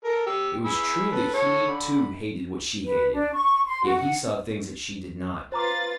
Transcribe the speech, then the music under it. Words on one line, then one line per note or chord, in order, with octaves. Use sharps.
It was true that he too hated what she hated, yet he saw things that she did not....
A4 A#4
G4 E6
G#4 B5 E6
A4 B4
A4 C#5
D3 B5
B4
D4
C#6
C6
F#4
F#5
F4 B4 C5 A#5 D6 A6